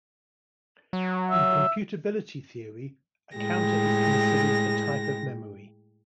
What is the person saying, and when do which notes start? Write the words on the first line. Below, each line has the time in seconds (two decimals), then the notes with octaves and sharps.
In computability theory, a counter is considered a type of memory.
0.93 F#3
1.31 E5
3.38 A2 G#3 G4 A#6